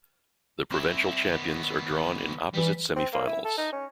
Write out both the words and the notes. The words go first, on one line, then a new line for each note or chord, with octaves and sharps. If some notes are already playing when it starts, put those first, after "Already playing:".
The provincial champions are drawn in opposite semi-finals.
C4 E4
D#3 B3
E3 G3
C4
A#3
E4
A4
D#4
C#4